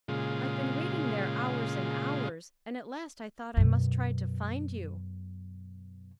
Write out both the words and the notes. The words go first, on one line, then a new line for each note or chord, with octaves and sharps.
"I've been waiting there hours and hours, and at last I thought I must try to find you."
A#2 C#3 G#3 F4
F#2 B2